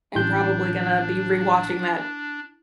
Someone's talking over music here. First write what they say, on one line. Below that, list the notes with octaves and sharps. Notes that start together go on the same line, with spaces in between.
am probably gonna be rewatching that
A1 D4 E4 G6